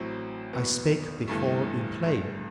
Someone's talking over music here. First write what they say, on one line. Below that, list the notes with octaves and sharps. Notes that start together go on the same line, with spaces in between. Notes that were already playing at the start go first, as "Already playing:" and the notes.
I spake before in play.
Already playing: A1 A2 F#3 C4 E4
F#1 E2 B2 F#3 B3
G1 G2 E3 A3
A1 G2 D3